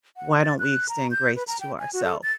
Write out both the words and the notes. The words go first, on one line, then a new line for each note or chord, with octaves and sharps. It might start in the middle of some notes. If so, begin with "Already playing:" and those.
Why don't we extend grace to ourself?"
F#5
A6
F#6
A#5
G6
B4
A#5
G5
G#5
F#4
A4
A6